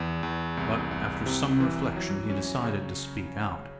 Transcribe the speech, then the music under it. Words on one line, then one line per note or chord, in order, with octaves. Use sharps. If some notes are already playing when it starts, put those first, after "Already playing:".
But, after some reflection, he decided to speak out.
Already playing: E2
E2
C2
C2
C3
E3
F#3
C#4
C#3